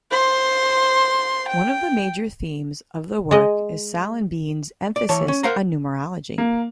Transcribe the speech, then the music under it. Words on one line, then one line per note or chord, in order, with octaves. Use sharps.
One of the major themes of the work is Salimbene's emphasis on numerology.
C5 C6
G5
G#3 D#5
D5
E3 C#5 A5
C#4
A#4 C5 F5 F#5 A#5
A#3